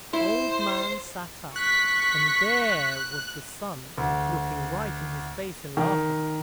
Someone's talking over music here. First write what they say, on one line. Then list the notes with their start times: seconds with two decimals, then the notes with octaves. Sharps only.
OLD-man sat up and there was the Sun looking right in his face and laughing.
0.13 E4 C5
1.56 C#6 F#6 B6
3.98 D2
5.77 D#3